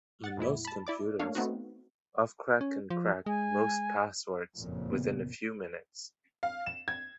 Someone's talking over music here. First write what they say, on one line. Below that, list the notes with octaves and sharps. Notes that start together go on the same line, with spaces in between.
On most computers, ophcrack can crack most passwords within a few minutes.
F#5 A6
F2 A#2 G#3 E4
A5 B5
E4 D5 D6
A3 A#3 D4 C#5 F5
A3 B3 C4 D#4 F#4
C#4
F3
G#3 G#5
F#1 F2 A#2
C#3 B3
F5
E7
G#6